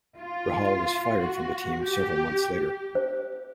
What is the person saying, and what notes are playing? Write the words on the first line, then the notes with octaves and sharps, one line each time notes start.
Rahal was fired from the team several months later.
F4
F#4
G4
C5